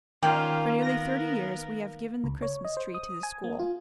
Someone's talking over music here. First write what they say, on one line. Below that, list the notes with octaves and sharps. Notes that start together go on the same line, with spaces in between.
For nearly thirty years we have given the Christmas tree to the school.
D#3 A#3 C#4 F4 G5
B3 A#4 A#6
C#2
C#5
D#5
C5
D#6
G#5
A#3
F4